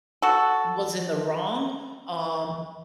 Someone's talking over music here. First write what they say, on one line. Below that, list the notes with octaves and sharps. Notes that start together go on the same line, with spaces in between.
was in the wrong, um,
F#4 A4